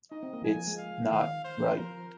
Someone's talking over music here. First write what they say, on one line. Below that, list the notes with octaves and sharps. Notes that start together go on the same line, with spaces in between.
It's not right.
D#4 D#5
C4
A#3
F3 G#5
F3
G#3
F5
D#3 F5
C5
F3 A#4